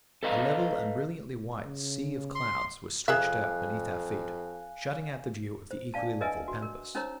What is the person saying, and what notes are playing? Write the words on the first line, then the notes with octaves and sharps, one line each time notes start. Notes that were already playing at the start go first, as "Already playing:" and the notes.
A level and brilliantly white sea of clouds was stretched out beneath our feet, shutting out the view of the equally level Pampas.
A4 B4 D#5 F5 A#5
C#3
C6
F2 G#4 A#4 E5 F5 G#5 F#6
C5
D4 D5 F5 A5
D4 A#4 B4 D#5 E5 G#5
F#4
A#4
C#4 D#4 A#4 C5 C#5 A#5